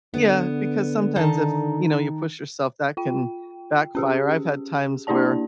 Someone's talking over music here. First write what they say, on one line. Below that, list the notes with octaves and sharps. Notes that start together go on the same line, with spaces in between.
yeah, because sometimes if, you know, you push yourself, that can backfire, I've had times where,
D3 B3
D#3 D#4 A5
F4 G5
C#4 G4 G#4
A#3 D4 E4 G4 D5 A5